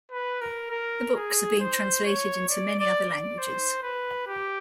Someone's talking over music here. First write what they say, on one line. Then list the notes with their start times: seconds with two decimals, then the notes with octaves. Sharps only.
The books are being translated into many other languages.
0.11 B4
0.41 A#4
0.71 A#4
1.15 G#4
1.60 C5
2.05 C#5
2.49 D5
2.79 D5
3.08 D5
3.38 C5
3.82 B4
4.27 G4